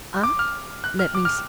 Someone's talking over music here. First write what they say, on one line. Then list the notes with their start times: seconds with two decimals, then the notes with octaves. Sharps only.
Ah! let me see!
0.23 D6
0.39 F6
0.84 F#6
0.99 F6
1.15 D6
1.25 F6